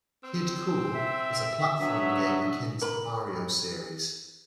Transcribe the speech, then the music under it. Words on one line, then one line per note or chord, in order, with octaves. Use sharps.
"Kid Kool" is a platform game akin to the Mario series.
C4 E6
E5
F#3 B3 D4 D#6
A#4 B5